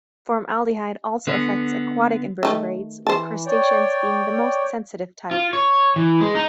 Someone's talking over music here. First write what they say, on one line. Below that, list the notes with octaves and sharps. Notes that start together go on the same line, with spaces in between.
Formaldehyde also affects aquatic invertebrates, with crustaceans being the most sensitive type.
D3 B3
D#3 A3
E3 C5 A5
C#5 D5 G5
F4
C#5
E3
G#3
D#4